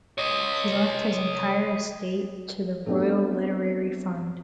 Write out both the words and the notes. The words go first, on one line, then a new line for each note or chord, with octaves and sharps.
He left his entire estate to the Royal Literary Fund.
C#5 D#5
A3 B3 C4 D4 G4 A4